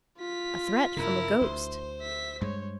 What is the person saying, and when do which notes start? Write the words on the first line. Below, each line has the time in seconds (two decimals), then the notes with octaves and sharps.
A threat from a ghost!
0.18 F4 B6
0.97 G2 C#3 E4 A#4
1.42 D2 C5 C6
2.01 E5 B6
2.41 G2 G#3 C5 C#5